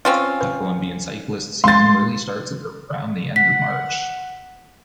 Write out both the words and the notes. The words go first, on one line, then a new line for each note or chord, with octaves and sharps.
The Colombian cyclist season really starts at around the end of March.
C4 C#4 F4 F5
B4
G#3 C6 A6
F#5 B6